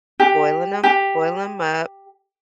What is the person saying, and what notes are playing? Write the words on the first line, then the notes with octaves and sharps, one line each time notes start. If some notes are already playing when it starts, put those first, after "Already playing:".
boiling ‘em boil ‘em up,
G4
G4